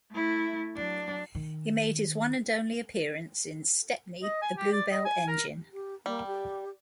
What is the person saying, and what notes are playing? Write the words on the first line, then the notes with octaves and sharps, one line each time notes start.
He made his one and only appearance in "Stepney the "Bluebell" Engine".
A3 E4
F#3 D4
D#3
D#5
G#5
G4
D5
D#5
G#5
A#4
G4
G3 A#3
G4